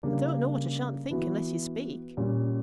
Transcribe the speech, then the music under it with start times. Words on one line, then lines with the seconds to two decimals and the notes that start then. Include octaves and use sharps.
I don't know what I shan't think unless you speak.
0.03 C#3 G3 A#3 D4
1.11 E3 B3 F#4
2.17 A#2 G3 C#4